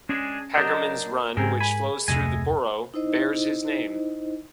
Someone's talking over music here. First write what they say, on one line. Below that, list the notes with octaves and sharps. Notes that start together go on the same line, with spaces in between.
Hagermans Run, which flows through the borough, bears his name.
G#3 C#4 D4 G#4
F#3 D4 A#4 D#5 G6
G#2 C#3 C4 G#4 A#4
G#5 B5
D1 F2 C3 A3 D#5 G#5
D#4 E4 C5 D#5